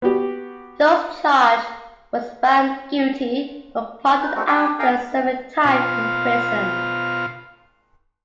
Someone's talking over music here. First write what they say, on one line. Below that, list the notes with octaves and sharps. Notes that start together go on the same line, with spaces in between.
Those charged were found guilty, but pardoned after serving time in prison.
B3 F#4 G4
D#4 B4
G#3 A3 C4 D4 D#4 F#4
G4 G5 G#5 B5
G#4 A#4 F5 G5 G#5 A#5
B2 F4 C5 F5